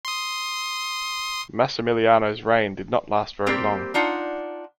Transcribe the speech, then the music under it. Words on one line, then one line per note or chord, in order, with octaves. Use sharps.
Massimiliano's reign did not last very long.
C6 D#6
G3 A#3 C4 G4 C5
D4 D#4 F4 F#5